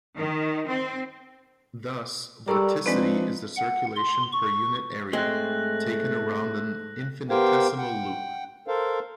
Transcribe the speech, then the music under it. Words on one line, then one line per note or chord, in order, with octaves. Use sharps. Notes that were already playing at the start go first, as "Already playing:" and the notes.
Thus vorticity is the circulation per unit area, taken around an infinitesimal loop.
D#3
C4
G3 A4 A#4 D5 A#5 C#6 E6
F3 G#3 C4 D4 D#4 B4
F#5
C6
C#6
G#2 G#3 A3 C4 A4 F#6 A#6 F#7
B3 G4 A#4 C5 F5 G5
F#5 G5
A4 A#4 C5 F5